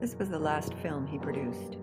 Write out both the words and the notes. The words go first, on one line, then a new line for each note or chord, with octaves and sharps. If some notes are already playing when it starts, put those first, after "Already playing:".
This was the last film he produced.
Already playing: F#1 E2 B2 A#4
F#1 E2 B2
G1 F#2 D3 G3 A#3 B4